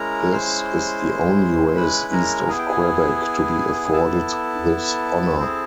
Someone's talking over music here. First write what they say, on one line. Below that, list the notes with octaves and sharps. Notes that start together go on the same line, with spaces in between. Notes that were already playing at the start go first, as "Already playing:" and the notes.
This is the only race east of Quebec to be afforded this honour.
Already playing: G#3 C#4 E4 A#4 A#5
C5 C6
C6
B4 B5
A#4 A#5
B3 E4 G#4 G#5
G5
G#4 G#5
A4 A5
C4 E4 G#4